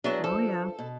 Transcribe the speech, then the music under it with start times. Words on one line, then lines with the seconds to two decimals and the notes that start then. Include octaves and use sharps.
Oh, yeah.
0.04 F#3 B3 D4 E4 G#4
0.24 F3 A4
0.79 B2